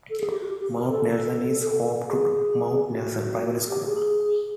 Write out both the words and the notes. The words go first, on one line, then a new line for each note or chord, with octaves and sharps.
Mount Nelson is home to Mount Nelson Primary School.
A4
G#4
G4
F#4
G4
G4
F#4
A#4
A4
G#4
F#4
G4
G#4